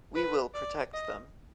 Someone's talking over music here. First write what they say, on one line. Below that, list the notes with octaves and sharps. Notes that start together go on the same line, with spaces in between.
We will protect them.
B4
D5
D#5